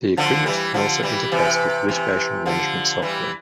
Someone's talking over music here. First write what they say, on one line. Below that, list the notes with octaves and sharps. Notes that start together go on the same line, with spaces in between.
The equipment can also interface with litigation management software.
D3 F3
E3 G3
D3 F3
E3 G3
C3 E3
C3 E3
D3 F3
E3 G3